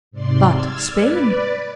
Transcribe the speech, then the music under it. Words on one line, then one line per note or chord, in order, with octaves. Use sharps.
But Spain?
G#2 C3 D5 C6
E6 F6 G#6 A6
B4 D5